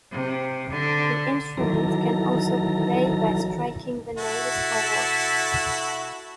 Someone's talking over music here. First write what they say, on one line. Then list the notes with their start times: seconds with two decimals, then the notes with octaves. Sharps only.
The instrument can also be played by striking the nails or rods.
0.12 C3
0.71 D3
1.57 D#3 E3 F#3 A4 A#5
4.18 E4 F#4 A4